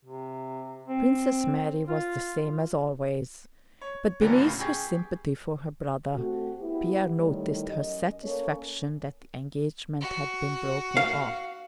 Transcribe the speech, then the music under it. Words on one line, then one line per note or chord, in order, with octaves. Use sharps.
Princess Mary was the same as always, but beneath her sympathy for her brother, Pierre noticed her satisfaction that the engagement had been broken off.
C3
C4
F4
C#5
D3 E3 F#3 G3 A#3 B3
C#2 F#2 A2 C#3
G4 G#4 C#6
C3 A3 C4 F#4
B3 E4 G4
A2 D#3 G3
F#2 D#5
A#3 C#4 A4 C#5
F#4
F5